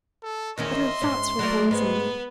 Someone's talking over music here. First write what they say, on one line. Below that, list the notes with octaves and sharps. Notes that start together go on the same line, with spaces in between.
But her thoughts were poisoned.
A4
E2 D#3 C#4 D#5 E5 C6
G#2 C#4
F#3 G#3 A3 A#4 D5
G#2 G#3 B3 B4